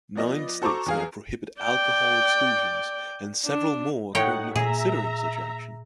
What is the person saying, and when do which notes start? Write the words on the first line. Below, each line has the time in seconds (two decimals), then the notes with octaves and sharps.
Nine states now prohibit alcohol exclusions and several more are currently considering such action.
0.16 F3 B3 D5 D#5
0.62 F#4 A4 C5 A#5 C#6 D6
0.86 E2 G#4 F5
1.61 D5 G5
3.46 D4
4.15 A2 D#4 C#5 F#5 G5
4.55 A#2 G#4 E5 A#5